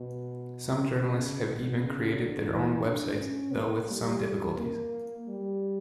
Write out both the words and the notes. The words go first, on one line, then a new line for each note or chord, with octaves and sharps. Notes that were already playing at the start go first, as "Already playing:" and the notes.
Some journalists have even created their own websites, though with some difficulties.
Already playing: B2
C#3
B2
C#3
D3
E3
D4
C#4
A#3
G3
A#3
G3